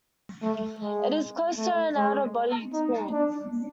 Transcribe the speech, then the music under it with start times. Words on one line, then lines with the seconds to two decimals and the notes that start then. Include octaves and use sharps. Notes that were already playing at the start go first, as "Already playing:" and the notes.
It's close to an out-of-body experience.
0.42 A3
0.80 G#3
1.57 A3
1.96 G#3
2.73 D#4
3.12 D4